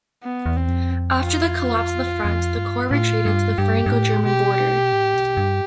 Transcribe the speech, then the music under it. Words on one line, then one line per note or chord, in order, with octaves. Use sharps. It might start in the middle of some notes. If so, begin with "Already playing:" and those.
After the collapse of the front, the corps retreated to the Franco-German border.
B3
E2
C4
F2
F4
F2
G2
A2 F4
G2
G2 G4
G2
A2
B2 G4
A2
B2
G2